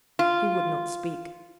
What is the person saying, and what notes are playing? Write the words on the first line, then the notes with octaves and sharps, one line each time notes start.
He would not speak.
F4